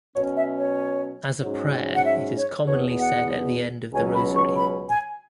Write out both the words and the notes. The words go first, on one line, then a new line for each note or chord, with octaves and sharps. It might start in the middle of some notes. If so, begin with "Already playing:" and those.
As a prayer, it is commonly said at the end of the rosary.
B2 F#3 C#4 C#5
E5
C#5
G#2 F#3 C#4
F#5
E5
C#5
E2 B2 B3 C#5
F#5
C#2 B2 F#3 C#4 G#5
B5
C#6
B5
G#5